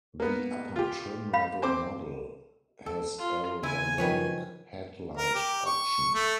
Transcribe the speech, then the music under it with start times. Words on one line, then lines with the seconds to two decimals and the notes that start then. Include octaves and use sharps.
The upper trim level model has aerodynamic headlight option.
0.20 A#3 B3
0.76 F4 G4
1.33 F5 B5
1.62 C4 C5 D6
2.86 A4
3.19 F4
3.63 C#3 E4 G#5
3.98 D#3 F3 B4 C#5
5.17 A#4
5.35 G4
5.66 C#6
6.15 A3